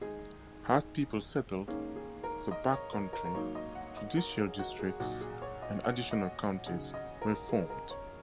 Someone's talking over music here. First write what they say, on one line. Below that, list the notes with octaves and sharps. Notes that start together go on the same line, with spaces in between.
As people settled the backcountry, judicial districts and additional counties were formed.
D#3 G#3 D#4 G#4
G#2 D#3 A#3 C#4 G#4
G#4
A#4
D#5
C#5
A#4
A#4
A#4
G#2 F#3 A#3 D#4 C#5
D#5
F#5
D#5
A#4
G#4
F#4
G#4
A#2 F#3 D#4 F#4
G#4
C#5
D#5
F#5
D#5
C#3 F#3 D#4 F#5
D#5
A#4
G#4
A#4
C#5